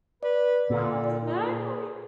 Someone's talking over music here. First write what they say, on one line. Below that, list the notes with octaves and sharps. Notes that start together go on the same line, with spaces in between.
M exactly.
B4 D5
A#2 D3
G#4